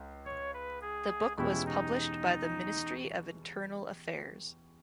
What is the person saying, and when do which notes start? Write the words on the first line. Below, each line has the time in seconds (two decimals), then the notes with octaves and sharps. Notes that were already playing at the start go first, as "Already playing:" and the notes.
The book was published by the Ministry of Internal Affairs.
Already playing: C#2
0.25 C#5
0.53 B4
0.82 G#4
1.38 E2 B2 G#3 C#4 E4 G4
1.66 D#4